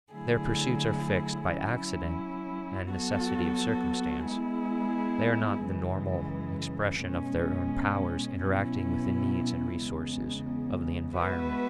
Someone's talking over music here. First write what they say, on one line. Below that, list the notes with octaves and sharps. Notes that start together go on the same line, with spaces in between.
Their pursuits are fixed by accident and necessity of circumstance; they are not the normal expression of their own powers interacting with the needs and resources of the environment.
D3 F#3 A3 E4 G#4
F#3 C#4 E4
F#3 B3 F#4 A4
G#3 B3 E4 G#4
F#2 C#3 E3 G#3
B2 G#3 C#4
B2 F#3 C#4 E4
E2 C#3 G#3
G#3 B3 F#4 B4 E5